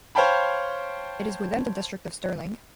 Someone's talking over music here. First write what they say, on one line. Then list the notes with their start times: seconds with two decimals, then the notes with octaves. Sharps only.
It is within the district of Stirling.
0.15 C5 C#5 F5 G5 A5 B5